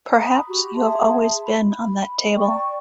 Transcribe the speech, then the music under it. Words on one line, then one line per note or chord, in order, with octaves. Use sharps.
Perhaps you have always been on that table.
A#5 B5 D#6
F#4 G4
G#4 E5 A5 C6
B5
D5 G5 C#6